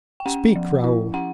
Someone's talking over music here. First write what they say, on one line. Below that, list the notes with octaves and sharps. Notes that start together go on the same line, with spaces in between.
"Speak, Raoul."
G5
C#4 F#5
F3
E4
C#4 F#5